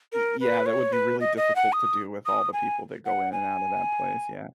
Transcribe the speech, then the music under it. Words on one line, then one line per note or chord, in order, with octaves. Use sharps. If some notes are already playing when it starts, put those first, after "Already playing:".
Y yeah, that would be really difficult to do with all the people that go in and out of that place, yeah.
A#4
B4
C#5
B4
D#5
D#5
F#5
D#6
D#6
G#5
F#5
G#5